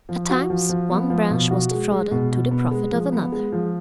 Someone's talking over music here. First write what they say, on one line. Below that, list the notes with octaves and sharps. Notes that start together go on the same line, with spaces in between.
At times one branch was defrauded to the profit of another.
F3
F#4
F3
F3
B3
F3
B2
F#4
G#3
G#3
B2
B2
B3
G#3
F3
B3
G#3
F3